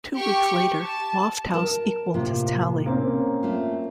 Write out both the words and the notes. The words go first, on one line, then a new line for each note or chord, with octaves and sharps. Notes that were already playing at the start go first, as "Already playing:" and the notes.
Two weeks later, Lofthouse equalled his tally.
G4 C#6
A5
A#4 A5
A2 C3 A#3 F4
A#3 C4 C#4
A3 F4